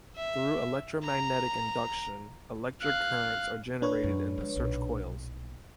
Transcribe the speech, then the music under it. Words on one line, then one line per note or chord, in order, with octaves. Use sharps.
Through electromagnetic induction, electric currents are generated in the search coils.
E5
A#5
F5 F#6
D4 B4 C#5
F#2
F3 G#3
B1 A#2